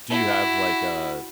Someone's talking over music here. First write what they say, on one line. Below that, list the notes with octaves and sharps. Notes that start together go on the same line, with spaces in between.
Do you have like a
E4 F#4